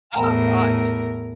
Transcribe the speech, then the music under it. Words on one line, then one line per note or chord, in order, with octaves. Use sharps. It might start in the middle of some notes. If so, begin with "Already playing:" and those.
Oh god!
E2 A2 A#4